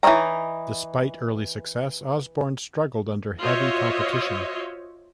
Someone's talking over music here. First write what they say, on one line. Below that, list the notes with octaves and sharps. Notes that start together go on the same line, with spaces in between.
Despite early success, Osborne struggled under heavy competition.
E3 D#4 C#5 D#5 A#5
F4 F#4 C5 C#5 D#5 E5